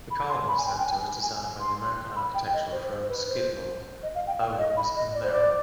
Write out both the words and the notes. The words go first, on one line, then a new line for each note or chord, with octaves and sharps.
The Carlton Centre was designed by the American architectural firm Skidmore, Owings and Merrill.
B5
C6
B5
G#5
G5
G5
G#5
G#5
C6
B5
G5
D#5
C5
C5
B4
C5
D#5
F5
G5
F5
D#5
B5
D#5
D5
C5
D5